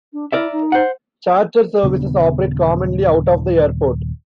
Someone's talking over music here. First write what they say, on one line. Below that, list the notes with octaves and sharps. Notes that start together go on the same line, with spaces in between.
Charter services operate commonly out of the airport.
D4
E4 A#4 D5 E5
D#4
C5 F#5
D#1 C#3 B3 D4